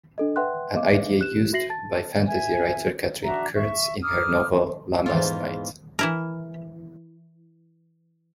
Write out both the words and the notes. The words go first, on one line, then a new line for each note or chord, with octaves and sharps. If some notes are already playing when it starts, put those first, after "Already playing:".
An idea used by fantasy writer Katherine Kurtz' in her novel "Lammas Night".
D4 A4 D#5
B4 E5 F#5 G5 C6 F#6
D#5 F5 D6
G4 F#6 E7
F#4 E5 A#6 C7 F#7
A5 A6
E5 G#5
D4 F#4 E5 A#5
E5 C#6
A#5 D6 D#6 F6
E2 G#2 F4
E3 E4 A#4